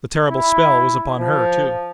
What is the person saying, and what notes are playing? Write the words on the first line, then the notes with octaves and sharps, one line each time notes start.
The terrible spell was upon her, too.
E4
F3